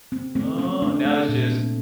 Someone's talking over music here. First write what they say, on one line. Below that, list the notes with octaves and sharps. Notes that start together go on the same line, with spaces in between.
Oh, and now it's just
C4
A3 C4
A3 C#4
A3 D4
A3
A#2
C4